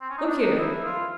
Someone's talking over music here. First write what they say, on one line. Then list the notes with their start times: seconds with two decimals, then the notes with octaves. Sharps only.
Look here!
0.01 C4
0.10 C#4
0.18 D#4
0.27 D4
0.42 D#4
0.59 E4
0.85 F4